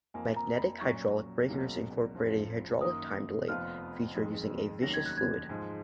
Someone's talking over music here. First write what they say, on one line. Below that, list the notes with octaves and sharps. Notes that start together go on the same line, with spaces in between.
Magnetic-hydraulic breakers incorporate a hydraulic time delay feature using a viscous fluid.
F2 F3 A#3 G#5
A#5
B5
A#2 F#3 C#4 C#6
C#2 B2 F#3 A#3 C#4
F#1 F2 C#3 F3
F#2 D#3 A#3 D#6
F1 F2 F3 B3 F4 F6
F2 D#3 G#3
F1 D#2 D#3 F#3 C#4 A#6
G#6
F#6
G#6
G#2 F3 G#3 D#4